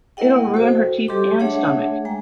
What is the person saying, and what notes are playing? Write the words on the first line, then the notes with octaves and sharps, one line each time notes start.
It’ll ruin her teeth and stomach.
A#3 E4 A#4 D#5 F#5 G5
F#4 A4 C5
G3 G4 A4 D#5 C6 D6
A3 D4 G#4 C#5 E5 F#5
G#3 G5 A#5